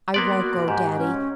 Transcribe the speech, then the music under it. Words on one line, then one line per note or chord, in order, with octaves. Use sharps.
"I won't go, daddy."
A#3 B3 D5 C6
F#4
G#2 G4
C#4